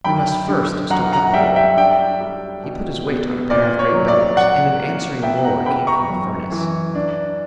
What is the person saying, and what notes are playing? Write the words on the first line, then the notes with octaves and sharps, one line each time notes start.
"We must first stoke up a little." He put his weight on a pair of great bellows, and an answering roar came from the furnace.
F#2 G5 B5
D3
F#2 F#5 A#5
F#5 A#5
G3 E5 G5
E5 G5
D4 E5 G5
G3
B2
B3
A#2 D5
C#5
F#3
D5
A#2 D5 F#5
A#3
B3 E5 G5
F#5 A#5
C#3 G5 B5
A#5 C#6
F#2
E3
D4